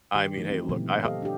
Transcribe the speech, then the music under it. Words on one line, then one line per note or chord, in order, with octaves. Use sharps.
I mean, hey look, I ho
D#3 G4
C#3 E3 A3 D#4
C4
A#2 C#3 E3 F#3 A3 B3
G4 A4 C5 D#5 F5
D4 G4